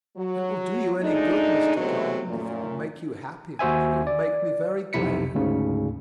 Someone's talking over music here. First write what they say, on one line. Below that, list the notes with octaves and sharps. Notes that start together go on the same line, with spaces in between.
"If it will do you any good, Mr. Carton, if it would make you happier, it would make me very glad!"
F#3
G#3 A3 D4 D#4
C3 E3 F#3 G#3 A3 B3
F#2 A#2 A3
D#2 F#4 C5 E5 G#5
D5
B1 F2 C3 E4 B6 C#7
D2 G#2 C#3